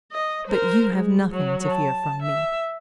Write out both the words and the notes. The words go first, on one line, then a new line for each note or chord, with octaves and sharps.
But you have nothing to fear from me.
D#5
A#4 C5
G#3
F#3
A5
E5